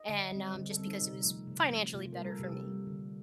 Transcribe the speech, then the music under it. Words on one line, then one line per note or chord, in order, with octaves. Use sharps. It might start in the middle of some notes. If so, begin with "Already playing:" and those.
and, um, just because it was financially better for me,
Already playing: D#5
D3
G3 C4
D3
A4
G3 C4
D#4
C3
F3 A3
C3
F3 A3
C3 F4
G3 A#3 A#4
A4
C3 G4
G3 A#3
D3